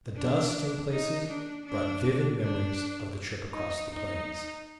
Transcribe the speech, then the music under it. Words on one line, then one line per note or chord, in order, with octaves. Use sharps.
The dust, in places, brought vivid memories of the trip across the Plains.
D4
D#4
D4
D4
D4
D#4
D#4